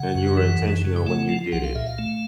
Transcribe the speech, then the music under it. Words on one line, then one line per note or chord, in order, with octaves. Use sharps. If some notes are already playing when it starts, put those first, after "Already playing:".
And you were intentional when you did it.
Already playing: C#3 F#5
F#2
E3
F#2
C#3
G5
A3 F#5
F3
C2 F#5
F5
A#2 E5
F5
A3